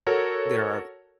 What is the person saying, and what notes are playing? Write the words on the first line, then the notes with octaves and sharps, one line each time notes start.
there are
F#4 A4 A#4 C#5